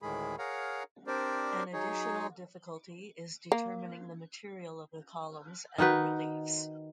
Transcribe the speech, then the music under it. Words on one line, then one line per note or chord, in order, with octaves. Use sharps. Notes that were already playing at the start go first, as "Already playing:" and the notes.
An additional difficulty is determining the material of the columns and the reliefs.
D2 A2 D#3 G#3 G#4 B5
G#4 A#4 C#5 F5 F#5 A#5
C4 D4 G4 A#4 C5 D5
F#3 D#4 G#4 C#5
A#3
D#3 D#4 F#4 B4